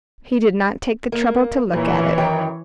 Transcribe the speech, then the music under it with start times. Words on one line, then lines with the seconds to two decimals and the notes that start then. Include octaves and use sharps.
He did not take the trouble to look at it.
1.12 A#3
1.73 A#2 E3 C#5
2.18 F#2 D#3 G5